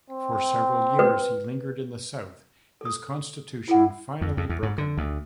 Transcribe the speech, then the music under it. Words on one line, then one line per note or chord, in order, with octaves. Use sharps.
For several years he lingered in the south, his constitution finally broken.
C4
B4
A4 D#6
E4 F4 A4 F#5
F2
F2
E2
G#2
D3
D2